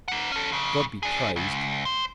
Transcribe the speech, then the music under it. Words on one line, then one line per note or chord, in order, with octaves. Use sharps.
God be praised!
A#3 F#5
C#4 A4
F2 C#3
D4 G#4
C#2
C5